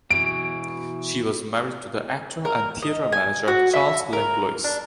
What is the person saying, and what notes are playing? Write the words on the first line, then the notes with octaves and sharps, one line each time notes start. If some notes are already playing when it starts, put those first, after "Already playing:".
She was married to the actor and theater manager Charles Langlois.
B2 E3 D7
A#4
D#5
G#5
F#4
E5
A#4
D4